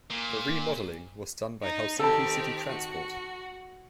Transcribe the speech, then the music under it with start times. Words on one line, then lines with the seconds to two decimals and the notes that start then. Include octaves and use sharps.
The remodelling was done by Helsinki City Transport.
0.10 A#2
1.63 D#4
1.99 D#3 C4 G4 A4 A5
2.68 F#4